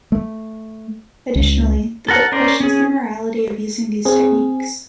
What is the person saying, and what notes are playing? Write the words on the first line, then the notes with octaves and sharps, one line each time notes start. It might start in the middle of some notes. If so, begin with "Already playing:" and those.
Additionally, the book questions the morality of using these techniques.
A3
C#2
A4 A#4 F#5 A5
C#4 A#4 C5 D5
C#4 G#4
C4 G#4